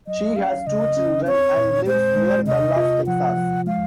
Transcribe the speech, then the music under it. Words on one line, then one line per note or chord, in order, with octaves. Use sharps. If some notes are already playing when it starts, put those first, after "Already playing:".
She has two children and lives near Dallas, Texas.
F#3 D#5
C#4 F5
C#3 D#5
C#4
C4 C#5
A#2
G#3 C5
G#3
C3 D#5
F4
F3 F#5
F3
G#3 F5